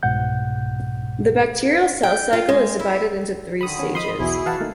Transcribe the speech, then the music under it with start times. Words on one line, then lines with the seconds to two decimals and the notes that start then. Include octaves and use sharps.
The bacterial cell cycle is divided into three stages.
0.03 C2 G#2 B2 F#5 G6
2.03 G5
2.33 F4
2.49 G#3
2.79 E4
3.61 D3 D#3 B5 D#6
3.79 C#4
3.95 F3 D#5 B5 C6 D#6
4.19 B1 E2 E4 F#4 G#4
4.46 E3 F5 F#5 A5
4.60 A3 A#3 D#4